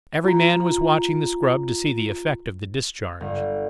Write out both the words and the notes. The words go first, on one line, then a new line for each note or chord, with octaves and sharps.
Every man was watching the scrub to see the effect of the discharge.
F4 A#5
G1